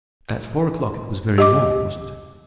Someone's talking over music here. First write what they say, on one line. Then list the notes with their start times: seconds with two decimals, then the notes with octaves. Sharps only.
"At four o'clock--it was very warm, wasn't it?"
1.38 G4 D#5 D6